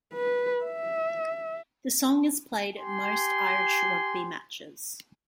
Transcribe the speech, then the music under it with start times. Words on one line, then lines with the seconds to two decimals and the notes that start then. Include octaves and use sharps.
The song is played at most Irish Rugby matches.
0.14 B4
0.64 E5
2.78 G4 G#5 C6